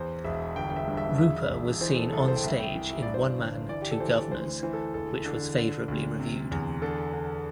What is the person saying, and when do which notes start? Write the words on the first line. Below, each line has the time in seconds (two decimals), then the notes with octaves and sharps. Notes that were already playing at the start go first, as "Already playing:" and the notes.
Rooper was seen on-stage in "One Man, Two Guvnors", which was favourably reviewed.
Already playing: E2 C5
0.24 E1 E5
0.56 G1 G5
0.70 G5
0.76 E5
0.87 G2
0.97 E5
1.18 E1 E5
1.49 E1
1.81 E3 C5
1.97 A4
2.12 C2 A4
2.28 C5
2.36 G5
2.44 C2 E5
2.60 G5
2.75 E3
2.90 E5
3.02 G2 D5
3.14 C5
3.26 D5
3.38 G1
3.69 E3 D5
3.82 G4
3.91 A4
4.00 E3 C5
4.31 D2 C5
4.63 E3 C5
4.73 A4
4.94 E1 A4
5.26 D3
5.57 D3
5.88 D2
6.20 C3
6.51 E2
6.82 D3 A4
7.13 D3